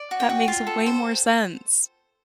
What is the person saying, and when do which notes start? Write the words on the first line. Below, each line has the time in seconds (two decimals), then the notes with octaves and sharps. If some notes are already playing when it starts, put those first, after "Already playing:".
that makes way more sense.
Already playing: D5
0.11 F#4
0.20 G5
0.29 F#4
0.48 F4
0.67 A4
0.86 C5